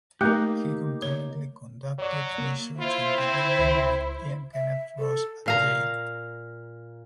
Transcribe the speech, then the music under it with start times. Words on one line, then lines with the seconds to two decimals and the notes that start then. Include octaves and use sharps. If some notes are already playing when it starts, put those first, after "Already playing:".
He concurrently conducted research on "Didymium" with Ian Kenneth Ross at Yale.
0.21 A3 A#3 D#4 G4
1.02 C#5
1.99 F#3 C#5 D5
2.38 A#3
2.79 E4 F4 C5
3.18 C4
3.59 C#2
4.54 E5
4.99 A4
5.46 A#2 F5 A#5